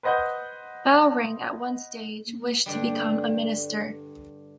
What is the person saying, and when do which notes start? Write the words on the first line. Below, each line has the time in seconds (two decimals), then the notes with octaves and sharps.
Bowring at one stage wished to become a minister.
0.03 B4 C5 D#5 F#5 G6
2.66 G2 D3 G3